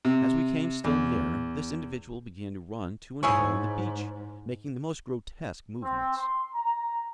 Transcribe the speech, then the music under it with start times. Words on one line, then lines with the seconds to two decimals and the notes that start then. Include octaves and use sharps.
As we came still nearer, this individual began to run to and fro on the beach, making the most grotesque movements.
0.05 C3
0.84 E2
3.23 G#2 E4 G#4 C#5
5.83 C4
6.17 C6
6.54 A#5